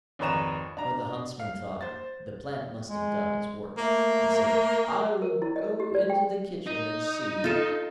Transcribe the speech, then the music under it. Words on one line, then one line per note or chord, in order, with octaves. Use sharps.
But the Huntsman thought: 'The plant must have done its work,' and said: 'I will go into the kitchen and see.'
G#1 F2 B4 C#5 A#5 E7
D4 A#5
F5
C5 A6
G#3
A3 A#3
A#4
E4
D#5
G4
D5
G5
D#4
F4 A4